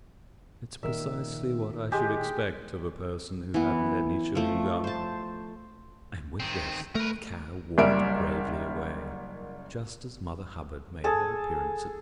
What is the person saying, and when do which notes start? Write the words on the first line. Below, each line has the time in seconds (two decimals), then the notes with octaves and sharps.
"It's precisely what I should expect of a person who hadn't any chewing-gum." And with this the Cow walked gravely away, just as Mother Hubbard made her appearance at the window.
0.83 A#2 D#3 A#4 E5
1.92 G#3 G4 D#5
3.54 E3 B3
4.35 F3 A3
4.84 C5 A5
6.40 D#3 C4
6.95 A3 A#4 B4
7.78 F#1 G3 A#4 E5 D7
11.04 G#4 A4 A5